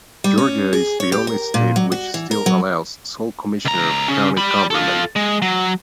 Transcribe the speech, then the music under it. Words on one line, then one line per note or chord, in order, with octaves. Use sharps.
Georgia is the only state which still allows sole commissioner county government.
G3
C#4
G#4
C#5
G4
A#4
A#2
F#3
F#4
E3
A#4
F#3
C#2 A#5
C#3 C#4
G3 B5
F4 A4
G#3
F#3